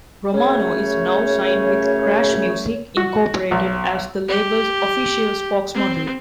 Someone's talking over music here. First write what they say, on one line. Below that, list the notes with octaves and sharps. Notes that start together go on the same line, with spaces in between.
Romano is now signed with Crash Music, Incorporated as the label's official spokesmodel.
F#2 C#3 A3 C#5
F#4
B1
G4
C4